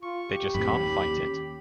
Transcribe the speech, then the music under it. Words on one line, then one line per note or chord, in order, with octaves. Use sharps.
They just can't fight it.
F4 C#6
G4
F#2 A2 C3 B5
D#2 C#4